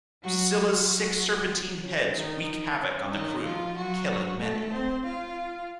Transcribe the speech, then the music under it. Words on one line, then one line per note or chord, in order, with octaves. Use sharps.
Scylla's six serpentine heads wreak havoc on the crew, killing many.
F#3 F#4
F#3 F#4
C#4
D#3 D#4
C#4
D#3 D#4
F3 F4
F#3 F#4
A3 A4
C4 C5
F4 F5